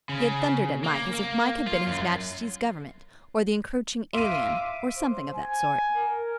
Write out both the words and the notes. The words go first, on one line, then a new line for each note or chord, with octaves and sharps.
He had thundered at Mike as if Mike had been his Majesty's Government or the Encroaching Alien, or something of that sort.
C#3
A#3
A#3
F4
F#2
E5 F5 C6 D6 D#7
C5
G#5
A#4